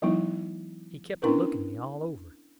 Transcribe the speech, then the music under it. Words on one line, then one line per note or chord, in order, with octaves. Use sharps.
He kept a-looking me all over.
E3 F#3 G#3 B3 D#4 E4
B3 C#4 D4 E4 A#4 B4